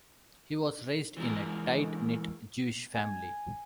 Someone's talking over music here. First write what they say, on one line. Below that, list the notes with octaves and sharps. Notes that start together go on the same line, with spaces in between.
He was raised in a "tight-knit" Jewish family.
E3 G#3 A#4
G#5